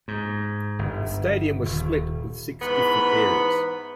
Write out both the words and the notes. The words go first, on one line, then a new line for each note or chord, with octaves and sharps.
The stadium was split with six different areas.
G#2
G1
D#1
G#2 E3 B3 B5